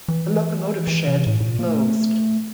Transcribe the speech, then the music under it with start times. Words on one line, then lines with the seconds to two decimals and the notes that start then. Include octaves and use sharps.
The locomotive shed closed.
0.08 E3
0.87 E3
1.08 C3
1.27 A2
1.40 A2
1.47 A#2
1.59 A#3
1.66 A3